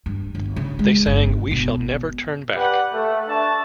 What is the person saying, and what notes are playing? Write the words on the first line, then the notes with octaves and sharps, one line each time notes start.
They sang, We Shall Never Turn Back.
G2
G1
C#3
G#3
G1
B2
G4 B4 D5 F#5
A3
D4 E5 A5 C#6